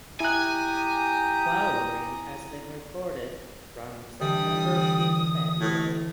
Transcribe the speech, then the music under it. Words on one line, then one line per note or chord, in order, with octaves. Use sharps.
Flowering has been recorded from September to February.
E4 G4 G#5 A#5 D#6 F#6
D3 E3 G3 D#6
A2